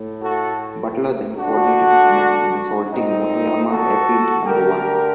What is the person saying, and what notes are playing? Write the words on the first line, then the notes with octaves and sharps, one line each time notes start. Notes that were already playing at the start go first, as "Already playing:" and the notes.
Butler then coordinated his men in assaulting Motoyama Airfield Number One.
Already playing: A2 A3
F#4 A4
D3 A3 D4 F#4
A#2 A3 C4 D#4
F#4 A4
D3 A3 G4 A#4